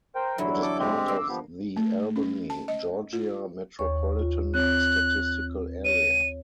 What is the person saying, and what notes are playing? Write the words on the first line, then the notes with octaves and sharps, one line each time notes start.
It is part of the Albany, Georgia Metropolitan Statistical Area.
A#4 C5 G5
E2 G2 D3 F#3 E4
A4 D6
G#3 C4 G4
A#3 D6 E6
F3 B3 G4
A3
C#4
A5
D#5
F4
D#2 C#5 C#6
F4
C4 C#5 F#6
C#5 D#7